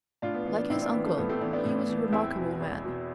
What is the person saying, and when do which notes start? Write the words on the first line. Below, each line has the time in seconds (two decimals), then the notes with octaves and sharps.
Like his uncle, he was a remarkable man.
0.22 A2 D4 F4
0.34 B3
0.46 E3 B3
0.58 B3 D4
0.70 A2 C4 E4
0.82 B3 D4
0.94 E3 B3
1.06 A3
1.18 A2 B3
1.30 A3 C4
1.41 E3 B3 D4
1.53 B3 D4
1.65 A2
1.89 E3
2.12 E2 C4 E4
2.37 B2
2.61 E2
2.84 B2